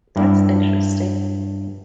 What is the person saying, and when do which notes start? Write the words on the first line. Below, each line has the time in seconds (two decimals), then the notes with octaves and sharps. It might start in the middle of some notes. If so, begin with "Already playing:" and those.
That's interesting.
0.16 G2 E4 D5 E5